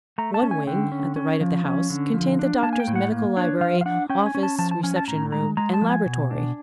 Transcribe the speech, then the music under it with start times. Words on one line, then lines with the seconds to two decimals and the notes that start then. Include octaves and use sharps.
One wing, at the right of the house, contained the Doctor's medical library, office, reception room, and laboratory.
0.18 A3 A#5
0.34 A5
0.43 C#4
0.51 G#5
0.67 D3 G5
0.92 C#4
1.16 C#4
1.41 F3
1.65 C#4
1.90 D3
2.14 F3
2.39 D4
2.63 A#3 A5
2.73 G#5
2.80 G5
2.87 A2
2.96 F#5
3.12 A#3
3.37 D4 C#5
3.61 F3 F5
3.81 F5
3.86 D4 F#5
4.09 C#4 G5
4.26 G#5
4.35 C#4
4.43 A5
4.59 F3 A5
4.71 A5
4.83 C#4 G#5
4.96 A5
5.08 A2 A#5
5.32 G#3 A#5
5.57 G#3 A#5
5.74 A5
5.82 F3
5.90 G#5
6.06 B2
6.31 D4